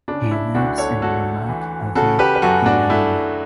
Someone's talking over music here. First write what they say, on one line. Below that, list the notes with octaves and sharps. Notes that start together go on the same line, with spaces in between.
He lives in Ramat Aviv Gimmel.
C#3 D4
E4
D2 D4 F#4
A4 C#5
A3 F#4 A4
E3
C#3 F#4 A4
G4 B4
B4
F#2 F#4 A4
D4 F#4
A3 E4